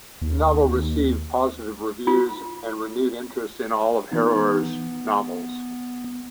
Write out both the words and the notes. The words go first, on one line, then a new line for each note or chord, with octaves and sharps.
The novel received positive reviews and renewed interest in all of Harrower's novels.
D#2
F4
E3 B3 D#4
B3